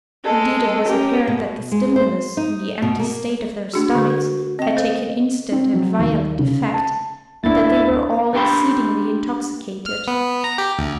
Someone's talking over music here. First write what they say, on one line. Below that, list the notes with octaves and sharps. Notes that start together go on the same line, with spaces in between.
Indeed, it was apparent that the stimulus, in the empty state of their stomachs, had taken instant and violent effect, and that they were all exceedingly intoxicated.
G#3 A4
C#4 G4 A#4
B2
G#3
C5
D#4
B2
A#3
A3 D4 F#4 G#4
D3 A4
A#4
C4 D#5 G5
A4 C5 F5
C4
F#3
D#2
C#3
A5
D2 A3 A#3 D4 E4 A6
A#3 D4 G4 G5 B5 C6
F6
B3
A#5
G4
D2